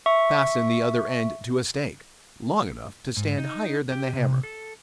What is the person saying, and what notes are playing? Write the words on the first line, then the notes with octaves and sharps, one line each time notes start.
Fasten the other end to a stake, long enough to stand higher than the hammer.
E5 C#6
G#2
D#4
G4
C3
A4